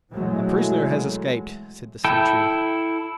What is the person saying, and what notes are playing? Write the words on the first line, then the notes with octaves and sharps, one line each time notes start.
"A prisoner has escaped," said the sentry.
B2 E3 F#3 G#3 A3
E4 A4 G5